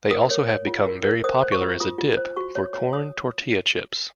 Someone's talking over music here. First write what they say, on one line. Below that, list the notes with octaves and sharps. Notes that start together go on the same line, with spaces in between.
They also have become very popular as a dip for corn tortilla chips.
A#4 D#6
C#5
C#5
F4
A#4
A#4
C5 D#6
C5
C#6
F4
F4 D#6
F4
C5
F#4 C#6
C#5
C#5
C#5 D#6